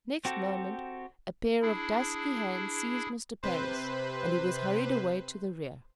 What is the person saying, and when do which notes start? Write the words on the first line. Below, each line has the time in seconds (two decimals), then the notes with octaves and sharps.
Next moment, a pair of dusky hands seized Mr. Parris, and he was hurried away to the rear.
0.25 C4 F#4 G4 A4
1.62 D4 E4 G#4
3.43 C3 B4 C5